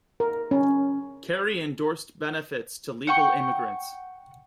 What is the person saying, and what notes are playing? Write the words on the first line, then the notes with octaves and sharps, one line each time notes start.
Kerry endorsed benefits to legal immigrants.
A#4
C#4
F#5 G5 C#6